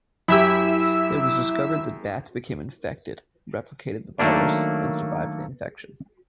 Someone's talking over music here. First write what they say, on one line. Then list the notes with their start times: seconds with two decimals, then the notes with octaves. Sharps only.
It was discovered that bats became infected, replicated the virus, and survived the infection.
0.28 F#2 E4 G4 E5 E6
4.19 D#3 F#3 A3 A#3 D4